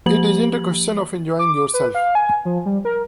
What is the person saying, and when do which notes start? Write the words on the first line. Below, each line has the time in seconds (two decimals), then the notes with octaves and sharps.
It isn't a question of enjoying yourself.
0.06 F3 A#3 G4 F#7
1.39 D6
1.74 B4
1.95 F5
2.15 G#5
2.45 F3
2.66 G3
2.85 A#4